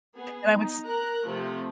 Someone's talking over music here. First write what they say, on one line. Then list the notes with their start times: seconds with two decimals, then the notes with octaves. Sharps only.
And I would s
0.14 B3 G#4
0.54 D#4
0.85 A#4 A#5 F#6
1.27 C3 F3 A3